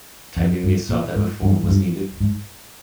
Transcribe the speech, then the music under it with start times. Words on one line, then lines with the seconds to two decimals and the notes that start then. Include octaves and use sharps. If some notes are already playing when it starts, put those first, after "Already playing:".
Tiberius saw that reform was needed.
0.37 F2
0.63 G2
0.89 A#2
1.16 G#2
1.42 G2
1.63 G#2
1.68 G2
2.20 G#2